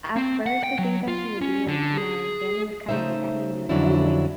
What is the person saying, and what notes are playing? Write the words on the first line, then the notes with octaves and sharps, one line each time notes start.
at first, the things that she would do, like my family would kinda look at me and be like, "Oh, like,
C4
F#5
G5
F#3
F4
C#4
D3
G#4
C#3 A3 D#4 C5 E5
F2 D3 F#3 C#4 D4 E4